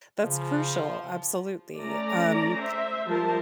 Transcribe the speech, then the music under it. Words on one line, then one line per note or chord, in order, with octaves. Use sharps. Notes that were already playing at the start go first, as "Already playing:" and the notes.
that's crucial, absolutely, um,
C#3 F3
A3 C#4 D5 A#5
C5 E5
F3 G3 F4 A#4 C5 A5